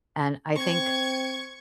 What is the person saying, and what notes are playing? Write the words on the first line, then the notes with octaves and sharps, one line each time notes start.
and I think
C4 C#6 G#6